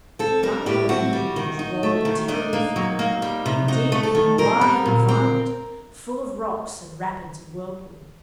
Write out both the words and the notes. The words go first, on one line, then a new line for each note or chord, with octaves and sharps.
But under the Rainbow Bridge rolled a terrible flood, deep and wide and violent, full of rocks and rapids and whirlpools.
C4 A4
G3 A#4
A2 G4
C4 F#4
G3
D#3
D#4
A3
D#3
D4 D#4
A#3
F#3
A#3
G3
C3
D#4 F#4
A3
A4
D#3
C4 A#4
G3
A#2
C4